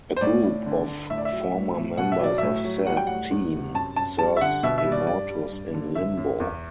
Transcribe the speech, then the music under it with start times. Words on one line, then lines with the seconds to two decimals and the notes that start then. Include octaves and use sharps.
A group of former members of said team serves Immortus in Limbo.
0.16 C5
0.21 A2 D5
0.44 A2
0.66 D3
0.88 D3
1.10 A2 E5
1.18 D5
1.25 E5
1.32 F#3
1.54 A2
1.77 A2
1.98 B2 F#5
2.12 E5
2.21 F#3 D5
2.38 A2 E5
2.64 F#3
2.86 G3 F#5
2.97 G5
3.07 A2 F#5
3.31 E2
3.53 C3
3.75 F#2 A5
3.96 F#2 A5
4.19 G3 A5
4.37 E5
4.41 D3 F#5
4.63 B2 E5
4.78 E5
4.85 G3
4.92 D5
5.07 G2 D5
5.30 G3
5.51 G2
5.74 D3
5.95 F#2 E5
6.17 F#2
6.40 E2